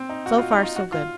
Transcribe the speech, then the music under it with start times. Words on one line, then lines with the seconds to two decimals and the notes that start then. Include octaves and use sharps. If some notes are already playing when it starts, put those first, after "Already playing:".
So far, so good.
Already playing: C4
0.09 D#4
0.26 F#4
0.38 F4
0.51 D#4
0.63 F4
0.76 F#4
0.92 F4